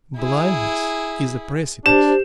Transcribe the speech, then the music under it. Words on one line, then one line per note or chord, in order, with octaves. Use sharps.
Blindness is a precipice.
E4 G#4
D4 G4 C5 E7